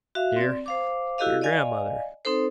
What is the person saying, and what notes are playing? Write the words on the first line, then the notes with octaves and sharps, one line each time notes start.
"Dear," your grandmother.
F#4 E5 F5
C4 D5
C5 F5 D6
E4 F#4 G4 A4 D#5 F5
D5 D#5 F5 G#5
C4 D#4 A4 C5